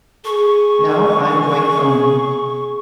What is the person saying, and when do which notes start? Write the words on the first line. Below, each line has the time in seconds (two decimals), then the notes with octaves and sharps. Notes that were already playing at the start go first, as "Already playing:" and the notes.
Now I'm going home.
0.25 G#4 C#6